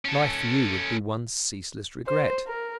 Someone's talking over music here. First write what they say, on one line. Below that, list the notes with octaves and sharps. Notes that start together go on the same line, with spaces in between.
Life for you would be one ceaseless regret.
C#4 A4
C5
A#4